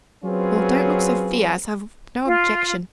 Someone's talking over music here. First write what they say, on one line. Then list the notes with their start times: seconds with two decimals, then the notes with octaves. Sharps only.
'Well, don't look so fierce; I've no objection.
0.24 F#3 C4 C#4 F4 G#4 B4
2.25 F4